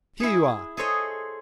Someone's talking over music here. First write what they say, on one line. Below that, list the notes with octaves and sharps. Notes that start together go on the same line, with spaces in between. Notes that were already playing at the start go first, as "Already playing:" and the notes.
'Here you are!
E4 G#4
G#4 A4 C5 C#5 D#5